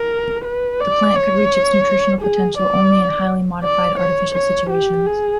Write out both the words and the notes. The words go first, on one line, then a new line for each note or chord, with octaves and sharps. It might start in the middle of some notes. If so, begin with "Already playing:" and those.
The plant could reach its nutritional potential only in highly modified artificial situations.
Already playing: A#4
B4
D5
C#5
G#4
D5
D5
C#5
C#5
G4
G#4